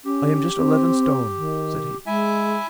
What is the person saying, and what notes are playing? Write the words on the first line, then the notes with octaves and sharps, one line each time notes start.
"I am just eleven stone," said he.
C#4 G4
C4
D#3
G#3 E4 E5 G#5